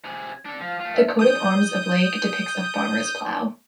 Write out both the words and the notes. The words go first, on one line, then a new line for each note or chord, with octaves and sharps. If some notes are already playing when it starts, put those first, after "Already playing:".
The coat of arms of Lage depicts a farmer's plough.
C3 G#4
C4 D4 A4
F3 F5
A3 F4
E5
D#6 G6